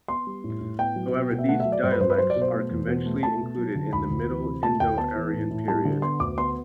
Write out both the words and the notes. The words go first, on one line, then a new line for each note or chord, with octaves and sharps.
However, these dialects are conventionally included in the Middle Indo-Aryan period.
B3 C6
G3
A2
A2
B3 G5
F#3
B2
B2
E5
A3 F#5
E5
F#3
D5
G2 C5
B4
G2 C5
B4
F#3 C5
D5
B2
C5
A3
E2
B2
A3
A3 A5
B2
F#3
D3
D2 B5
D2
E3
C3
A3 A5
D2 G5
B3 A5
E3
A2
A2
G3 A5
D3
B3 C6
D2 D6
B3 C6